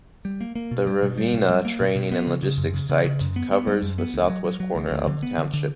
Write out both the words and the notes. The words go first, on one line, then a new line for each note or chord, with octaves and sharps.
The Ravenna Training and Logistics Site covers the southwest corner of the township.
G3
A#3
A#3
B2
G3
B2
G3
B2
G3
A#3
B2
B2
B3
C#3
C#3
F#2
C#3
C#3
C#3
F#2
B3
B3
G3
F#2
B3
D2
F#3
F#3
F#3
D2
D2
D3
B3
D3
D3